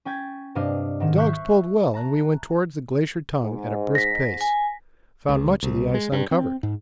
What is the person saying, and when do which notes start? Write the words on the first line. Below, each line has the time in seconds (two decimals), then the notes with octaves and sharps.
The dogs pulled well, and we went towards the Glacier Tongue at a brisk pace; found much of the ice uncovered.
0.05 C#4 G5 G#6 A6 B6
0.55 G2 C3 D4 D#5 F5 D#6
1.00 G#2 D#3 E7
1.17 E5 C#6 F#6 G6 B6 C7
1.94 A5 A#5 F#6
3.43 G#2
3.95 A#6 B6
4.41 G#5
5.29 C#2
5.63 C2
5.94 G#3
6.12 G2
6.31 C4
6.63 G#2